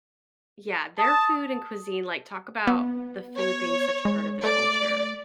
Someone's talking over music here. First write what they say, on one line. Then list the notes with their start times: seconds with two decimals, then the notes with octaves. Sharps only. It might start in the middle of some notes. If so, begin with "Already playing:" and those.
Yeah. Their food and cuisine like, talk about the food being such part of the culture.
0.99 A5 D#6
2.67 B3
3.39 C#5
4.05 G#3
4.44 A3 D5